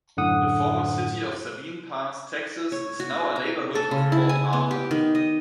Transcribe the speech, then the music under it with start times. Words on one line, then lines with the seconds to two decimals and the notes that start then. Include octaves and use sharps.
The former city of Sabine Pass, Texas is now a neighborhood of Port Arthur.
0.17 F#2 A2 D3 F#5 D#6
2.72 C#5
3.00 F#4
3.36 A#5
3.75 A4
3.91 C#3
4.12 E4
4.29 G#5
4.53 B3
4.71 G4
4.91 D#3
5.15 D#5